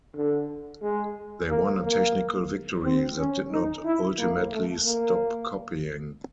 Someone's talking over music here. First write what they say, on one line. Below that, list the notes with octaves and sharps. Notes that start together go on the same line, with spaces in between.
They won a technical victory that did not ultimately stop copying.
D3
G#3
A#3
A#3
C4
C#4
D#4
E4
A#3
A3
A#3